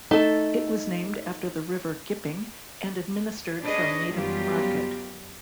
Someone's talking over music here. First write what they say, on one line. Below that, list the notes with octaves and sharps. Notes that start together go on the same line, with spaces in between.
It was named after the River Gipping and administered from Needham Market.
A3 D#4 A4
D4 G#4 B4 C#5 D#5
F#2 F#3 G3 B3 F4 G4